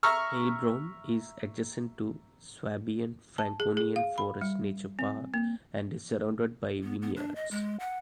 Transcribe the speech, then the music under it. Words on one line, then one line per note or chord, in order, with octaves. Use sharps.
Heilbronn is adjacent to Swabian-Franconian Forest Nature Park and is surrounded by vineyards.
E5 A#5 C#6 F6
A5
G#4
G#4
F5
B5
G3
C4
A#3
B3
B3
D4
D#5
G#3
F#5